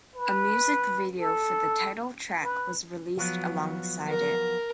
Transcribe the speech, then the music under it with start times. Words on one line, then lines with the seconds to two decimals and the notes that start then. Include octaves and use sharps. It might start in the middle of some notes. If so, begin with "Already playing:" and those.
A music video for the title track was released alongside it.
0.16 B4
1.18 A4
2.43 B4
3.17 F3 F#3 B3
4.08 A#4